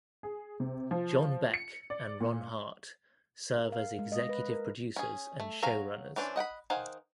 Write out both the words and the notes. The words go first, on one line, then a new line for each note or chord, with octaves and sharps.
John Beck and Ron Hart serve as executive producers and showrunners.
G#4
C3
F3
C#7
D5
A#2
A#4
F5
G#3
D#5
B4
A#4
C#4 G#4
A3
F#3 C#5 F5 G#5 A#5
E3 C#4 D4 C5
D#5 F#5 G5 B5
D#3 C5 F5 F#5 G#5